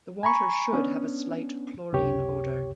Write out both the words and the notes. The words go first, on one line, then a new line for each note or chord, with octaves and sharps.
The water should have a slight chlorine odor.
G#5 A#5 B5 C#6
B3 C#4 D4
C#2 F#2 C3 G4 C#5